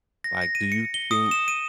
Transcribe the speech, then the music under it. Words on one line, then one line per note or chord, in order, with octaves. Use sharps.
like, do you think
A#6
A#6
D#7
C#7
G7
D#6
E7
D#7